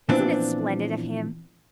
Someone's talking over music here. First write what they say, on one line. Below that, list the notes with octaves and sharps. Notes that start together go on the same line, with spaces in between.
Isn't it splendid of him?
A#2 E3 F3 B3 C4 D4